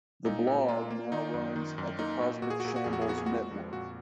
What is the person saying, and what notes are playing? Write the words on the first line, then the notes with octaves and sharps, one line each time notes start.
The blog now runs at the Cosmic Shambles network.
A#2 D#4
A#2
A#3 F4
A#3
D#3 D#4
F#2
D#3
F#2
A#3 D#4
A#2
A#2 F#4
G#4
F#4
A#2 G#4
F#4
F2 G#4
F#4
G#4
B3 F#4
G#4
G#3 F#4
F2
A#2 F#4